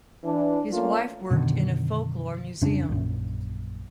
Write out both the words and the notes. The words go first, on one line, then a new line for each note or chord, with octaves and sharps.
His wife worked in a folklore museum.
E3 D4
A3 A#3 C#4 F4
F#2 B2 D3 D#3
F2 C#3 C#4 D4
A#1 F#2